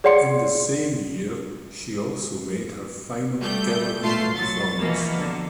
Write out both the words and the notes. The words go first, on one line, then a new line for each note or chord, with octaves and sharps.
In the same year she also made her final television performance.
G#4 C#5 D5 F#5 C6 C#7
G3 A3 G6
B1 A3 F4 A5 C6 C7
F#3 A6
B2 E3 F3 A#3
D3